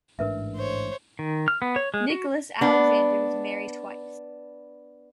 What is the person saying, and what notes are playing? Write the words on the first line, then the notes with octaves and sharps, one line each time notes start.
Nicholas Alexander was married twice.
A1 G#2 D4 A#4 B4 E5
C5 C#5
D#3
F6
B3
C#5
G#3
F#4
B3 D4